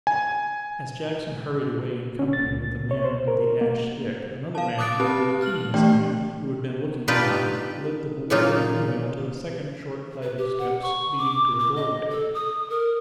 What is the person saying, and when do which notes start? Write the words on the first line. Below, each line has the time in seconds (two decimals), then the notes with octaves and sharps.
As Jackson hurried away in company with the man with the ash stick another man, with a key in his hand, who had been looking on, led the bewildered female to a second short flight of steps leading to a doorway.
0.07 G#5
2.19 C#4
2.33 A6
2.46 C#2
2.91 C#5
3.04 C5
3.28 A#4
3.61 A#3
4.55 F5 A5
4.79 D6 D#6 F#6 A6 D7
5.00 C4 G4 B4 A5
5.42 F6 F#7
5.74 E3 A3 D4 G4 D5 G5
7.08 D4 D#4 F4 G4 B4
8.30 A#2 C#3 F#3 A#3 D#4 F4
10.22 B4
10.38 G4
10.59 F#5
10.82 C#6
11.18 D6
11.59 D6
11.76 D#5
12.10 A4
12.35 D#6
12.70 A#4